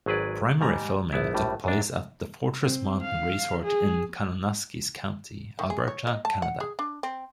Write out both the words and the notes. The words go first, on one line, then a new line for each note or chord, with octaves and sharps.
Primary filming took place at the Fortress Mountain Resort in Kananaskis Country, Alberta, Canada.
G#1 F#3 G#4 B4 D5
G#2 G3 A#5
A#1 B3 E4
A#1 A2 G3
F#2 D4
C4
F5
G#4
D#3
G#4
C#5
D#5
A5
F#5
G#4
D4
C4